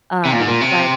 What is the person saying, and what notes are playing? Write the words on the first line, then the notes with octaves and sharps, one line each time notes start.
Um, but
C3
A#2
G#2
A#2
C3